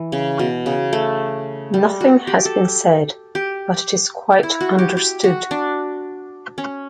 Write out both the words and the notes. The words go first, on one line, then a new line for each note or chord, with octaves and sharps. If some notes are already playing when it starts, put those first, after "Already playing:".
Nothing has been said, but it is quite understood.
Already playing: E3
C#3
B2
C#3
A3
G3
F#4
G4
A4
G4
E4
F#4
G4
G4
F#4
D4
C#4